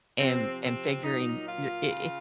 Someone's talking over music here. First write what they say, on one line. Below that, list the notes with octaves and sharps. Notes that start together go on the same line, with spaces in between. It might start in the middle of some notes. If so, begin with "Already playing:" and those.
and and figuring your i i
C3 F3 C4
C4
A#2 F#3 D#4
F4
C#3